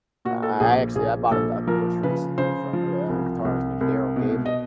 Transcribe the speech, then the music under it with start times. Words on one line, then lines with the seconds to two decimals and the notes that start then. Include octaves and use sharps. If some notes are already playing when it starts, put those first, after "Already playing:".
I actually I bought, um, a course recently from a a guitarist named Derryl Gabel,
0.25 A#2 F#4
0.43 A4
0.60 A#1 G#4
0.95 A#1 G#4
1.31 A#1 A4
1.67 F3 A#4
2.03 C#3 B4
2.38 C#3 C5
2.73 F3
3.09 C2
3.45 C2
3.81 C2
4.16 B2
4.45 D#5